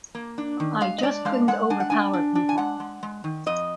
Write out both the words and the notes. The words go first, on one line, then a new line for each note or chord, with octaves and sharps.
I just couldn’t overpower people.
A#3
D4
D#3
G#3 F5
D#5
D4 D5
G#3 F5
G#3 F#5
D4 G#5
F#5
D4 G#5
D4
D4
G#5
G#3 F#5
G#3
G#3
D#3
F2 D#5